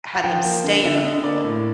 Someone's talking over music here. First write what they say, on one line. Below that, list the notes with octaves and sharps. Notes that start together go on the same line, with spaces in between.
had them stay in the pool
F#5
F3 G5
A#3
D3
D3 E5
D3 D#5
A#3 D5
A2